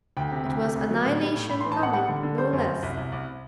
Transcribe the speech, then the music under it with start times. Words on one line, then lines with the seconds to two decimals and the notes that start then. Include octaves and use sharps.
It was annihilation coming--no less.
0.17 D2 G5
0.31 C3
0.46 D2
0.61 C3
0.75 D2
0.91 F#3
1.05 A2
1.20 G3
1.34 A2
1.49 A2 B5
1.61 C6
1.64 E3
1.72 A5
1.79 A2 F#5
1.93 G3 F#5
2.08 D3
2.23 D3
2.38 G3 C5
2.53 F#2
2.68 F#2
2.82 C2
2.97 C2
3.12 C2